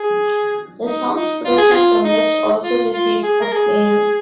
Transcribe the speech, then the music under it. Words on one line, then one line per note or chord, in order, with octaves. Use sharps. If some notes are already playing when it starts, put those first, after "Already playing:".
The song's production from West also received acclaim.
Already playing: G#4
D#4
D#4
F4
G#4
F4
D#4
F4
F4
G#4
A#4
G#4